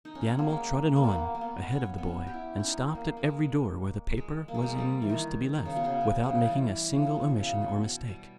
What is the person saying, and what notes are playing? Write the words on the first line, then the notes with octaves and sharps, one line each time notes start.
The animal trotted on a-head of the boy, and stopped at every door where the paper was in use to be left, without making a single omission or mistake.
D#4
C#4
B3
A#3
G#3
A#3
B3
A#3
A#3
B3
C#4
B3
C#4
G4
E4
C#4
D#4
A#3
A#3
G#3
G#3
A#3
G#3
G3
G#3
G3
E3
D#3
D#3
C#3
B2
C#3
B2
C#3
G3
E3
C#3
B2
B2
C#3
B2
B2
G3